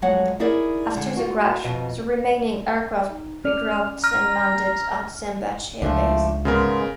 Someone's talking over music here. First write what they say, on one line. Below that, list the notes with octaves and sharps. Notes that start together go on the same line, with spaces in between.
After the crash, the remaining aircraft regrouped and landed at Sembach Air Base.
F2 F#3 G#3 C#5 F#5
D#4 E4 G#4 A#4 D5
D3 G#3
F4 F#4
F2 B2 D#5
D#4
C#4 D5 F6
A#5 F6
C#2 F3 A3 D4
G#2 C#3 G#3 B3 A#4